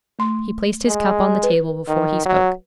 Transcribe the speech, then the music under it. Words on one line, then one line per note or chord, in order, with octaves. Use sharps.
He placed his cup on the table before he spoke.
A3 C6
G#3
B4
D#3
F#3